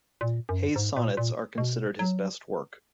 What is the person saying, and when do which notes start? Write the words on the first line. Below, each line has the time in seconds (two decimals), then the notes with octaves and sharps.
Hayne's sonnets are considered his best work.
0.21 A#2
0.49 F#2
0.76 G#2
0.97 A#2
1.17 A#2
1.58 B2
1.99 F#3